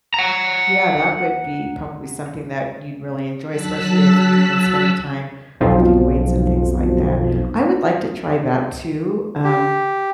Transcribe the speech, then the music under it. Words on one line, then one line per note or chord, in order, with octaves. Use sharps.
Yeah, that would be probably something that you'd really enjoy, especially if you've been spending time lifting weights and things like that. I would like to try that too, um,
F#5 A#5
F#3 A5 E6 F#6 B6
B1 F2 F3
G4